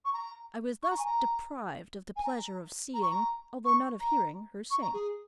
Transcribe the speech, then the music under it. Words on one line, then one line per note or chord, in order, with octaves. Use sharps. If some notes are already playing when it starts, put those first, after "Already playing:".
I was thus deprived of the pleasure of seeing, although not of hearing, her sing.
C#6
A#5
C#6
A#5
G#5
A#5
G#5
A#5
A#5
C#6
A#5
C#6
A#5
C#6
A#5
G#4